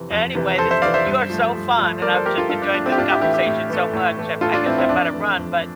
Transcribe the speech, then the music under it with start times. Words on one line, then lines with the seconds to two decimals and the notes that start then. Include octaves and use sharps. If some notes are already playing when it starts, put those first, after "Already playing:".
Anyway, this is you are so, fun and I've just enjoyed this conversation so much. I'm I guess I better run, but
Already playing: F2 C3 E3
0.11 F2
0.35 C3 E3
0.58 F2 A4 C5
0.71 C5 E5
0.82 C3 E3 D5 F5
0.94 C5 E5
1.06 G2
1.30 F3 A3
1.54 G2
1.78 F3 A3
2.02 G2 A#4 D5
2.14 A4 C5
2.26 F3 A3 G4 A#4
2.38 F4 A4
2.50 G2 F4 A4
2.62 D4
2.74 F3 A3 D4
2.86 C4 E4
2.92 G4
2.98 A2 D4 F4
3.10 E4 G4
3.21 E3 A3 E4 G4
3.34 E4 G4
3.46 A2
3.70 E3 A3
3.93 A2
4.17 E3 A3
4.41 A2 F4 A4
4.54 D4 F4
4.66 E3 A3 C4 E4
4.78 C4 E4
4.89 F2 D4
5.13 E3 A3
5.38 F2